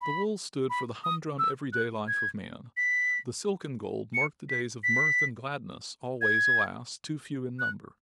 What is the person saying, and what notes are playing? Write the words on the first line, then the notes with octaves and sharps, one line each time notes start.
The wool stood for the humdrum everyday life of man: the silk and gold marked the days of mirth and gladness, always, alas! too few in number.
B5
B5
D#6
E6
F#6
G#6
B6
C#7
B6
B6
G#6
F#6